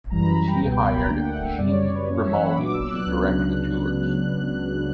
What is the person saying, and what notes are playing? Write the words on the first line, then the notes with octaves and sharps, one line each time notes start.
She hired Jean Grimaldi to direct the tours.
F#2 E3 G3 A#5
B5
A#5
G5
C#2 B2 G3 B3 G5
G5
B5
A#5
D2 D3 A#3 D4 G5
F#5
E5
F#2 C#3 G3 D5
C#5
C#5
B4
F#2 E3 A#3 C#4 C#5
E5
F#5
B5
A#2 F#3 B3 D4 D6
E6
F#6
C#2 C#3 F#3 B3 D4